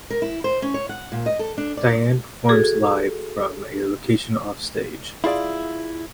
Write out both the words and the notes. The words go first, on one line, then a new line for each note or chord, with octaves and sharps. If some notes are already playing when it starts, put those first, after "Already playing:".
Dyne performs live from a location off stage.
A#4
E4
C5
C#4
C#5
F#5
A#2
D#5
A4
D4
D5
F#4 G#4 A4
E4 F4 G#4 D5 F5